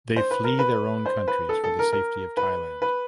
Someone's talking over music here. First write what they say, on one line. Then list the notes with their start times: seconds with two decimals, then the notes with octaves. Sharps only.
They flee their own countries for the safety of Thailand.
0.16 C5
0.31 B4
0.44 A#4
0.59 B4
1.06 C5
1.28 B4
1.49 A4
1.64 A4
1.79 A#4
1.92 A#4
2.37 B4
2.82 B4